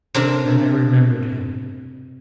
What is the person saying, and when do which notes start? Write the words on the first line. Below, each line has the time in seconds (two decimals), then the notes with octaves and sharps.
Then I remembered him.
0.14 C3 D4 A#4